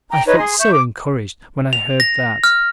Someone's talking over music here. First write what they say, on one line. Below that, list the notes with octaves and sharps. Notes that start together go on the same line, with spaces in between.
I felt so encouraged when I heard that.
G5 A#5
D#4 B4 C#5
G#4 C6
E5 C#6 G6
D6
F7
A#6
F6